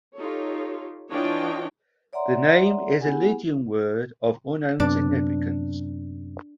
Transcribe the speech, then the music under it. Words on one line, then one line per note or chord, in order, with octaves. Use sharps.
The name is a Lydian word of unknown significance.
D#4 F4 G4 A4 C#5
E3 D4 F4 C#5 D#5 G5
C#5 D5 E5 F#5 A#5 C6
B3 E4 G4 G#4 F#5 G#5
F#2 C3 B3 D4